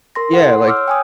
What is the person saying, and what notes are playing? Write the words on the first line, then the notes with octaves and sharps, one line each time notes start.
Yeah, like
A#4 C6 A#6
E4 A4 F#5
C6
C#5 D6 E6 F6
G5 G#5 D#6